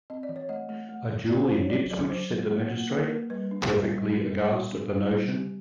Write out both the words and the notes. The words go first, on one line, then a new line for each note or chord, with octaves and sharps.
A duel in Ipswich!’ said the magistrate, perfectly aghast at the notion.
C4 D#5
D5
E3
C#5
A3 D#5
A3
A3
E3
E3 D5
C5
E3
C#5
F#3 D5
F#3 D5
F#3 C5
F#3
A#3
A#3
A#3 B4
A#3 A#4
G3 B4
D4
G3
G3
D4
G3
B3 F#4
D4
G3
G3
B3 G4